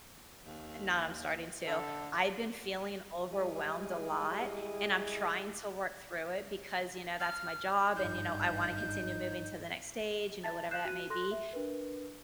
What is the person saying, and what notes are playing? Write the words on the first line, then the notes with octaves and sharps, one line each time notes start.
not I'm starting to I've been feeling overwhelmed a lot, and I'm trying to work through it because, you know, that's my job, and, you know, I wanna continue moving to the next stage, you know, whatever that may be."
D#2
D3 A4
G3 G#3 E4 G4 G#4
F6
G#1 G2 D#4 G6
A5 A6
F#6 G6 C7 E7
F#4 F#6 D#7
A4 C6 F#6 A#6
E5
D4 A#4 B4